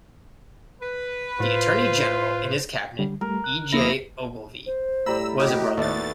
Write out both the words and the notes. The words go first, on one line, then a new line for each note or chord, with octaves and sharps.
The attorney-general in his cabinet, E. J. Ogilvie, was a brother.
B4
A2 F4 C5
D3 G3
G3 A3 A#4
F#6
D2 F3 A#3 E4 D#6 A#6
C5
A2 G3 A#5 B5 E6
F#4 G4 D#5 D#6
D#2 A3 B3 D5 A6